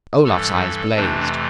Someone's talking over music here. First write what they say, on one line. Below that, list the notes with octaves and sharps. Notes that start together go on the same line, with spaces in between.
Olaf's eyes blazed.
G2 E3 G3 A4
F2 C3 E3 A3 D4